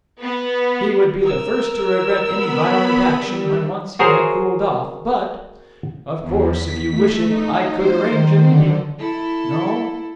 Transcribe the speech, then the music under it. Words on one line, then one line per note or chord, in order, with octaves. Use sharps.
He would be the first to regret any violent action, when once he had cooled off, but-- Of course, if you wish it I could arrange a meeting. No?
B3
A#4 E6
B3 B5
G3
F#4 G#4 A#4 C5 C#5
E2
B6
A3
D#4
C5
D#3
D3
E4 A4